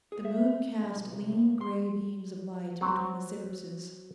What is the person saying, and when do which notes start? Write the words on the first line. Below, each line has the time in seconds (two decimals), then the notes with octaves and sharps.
The moon cast lean grey beams of light between the cypresses.
0.12 G#4
0.25 E5
0.84 G#2
0.97 B1
1.12 C3
1.32 A2
1.61 C6
2.81 F#3 C4